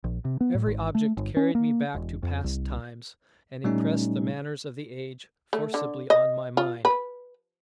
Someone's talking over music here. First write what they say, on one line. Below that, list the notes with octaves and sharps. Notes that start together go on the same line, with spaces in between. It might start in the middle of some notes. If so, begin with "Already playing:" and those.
Every object carried me back to past times, and impressed the manners of the age forcibly on my mind.
A#1
C3
B3
A2
G#1
A3
G1
C#4
A#3
E1
F2
C2
A#2 G3 A3 C#4 D#4
A3
D3
D#5
F4
B4